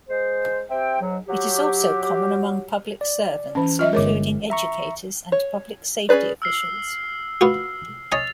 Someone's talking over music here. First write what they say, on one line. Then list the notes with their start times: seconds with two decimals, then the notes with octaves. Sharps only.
It is also common among public servants including educators and public safety officials.
0.09 G#3 C5
0.70 C4 G4 C5 E5 G5
1.00 G#2 F#3
1.28 F#3 G4
3.01 D5
3.55 E3 C#4
3.79 F4 D#5 E5 F6
3.93 G1 G#3 A#4 C#5 D6
4.50 E5 A#5 C#6
5.32 C#5
6.09 C#4 F4 G#4 B4 D5
6.42 E6 F6 C7
7.41 B3 F4 F#4
8.12 C#4 D#5 G#5 A6 F7